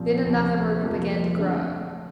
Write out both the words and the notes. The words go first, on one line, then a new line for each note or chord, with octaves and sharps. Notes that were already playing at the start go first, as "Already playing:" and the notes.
Then another rumor began to grow.
Already playing: C2 A#2 F3 C4
D2 C3 F3
F2 C3 F3 A#3 F4
D3 A3